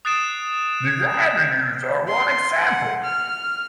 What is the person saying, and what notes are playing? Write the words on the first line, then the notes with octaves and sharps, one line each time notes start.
The Avenues are one example.
D#6 F#6 A6 C7 D7 E7
C6
F#5
F6